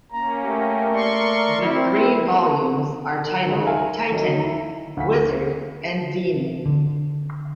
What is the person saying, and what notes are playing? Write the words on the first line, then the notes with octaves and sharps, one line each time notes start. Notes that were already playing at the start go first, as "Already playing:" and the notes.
The three volumes are titled "Titan", "Wizard", and "Demon".
A#3 C#4 A#5
A3 G4 A#4
D5 C6 C#6
C4 E4
D#3 G#3
A4 A#4 E5 F5 G#5 A#5
D#3 F#3 D#4
E4 A#5
D2 F5 B6
D3